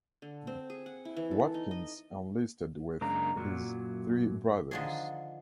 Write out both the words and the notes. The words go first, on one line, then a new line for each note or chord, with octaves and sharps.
Watkins enlisted with his three brothers.
D3
C4
G#4
F#5
E4
E3
A4
D#4
D#5
F#2 C#3 G#3 A#3 D4 A#5
F#2 A#2 F#3
D3 D#3 F3 D4 G#4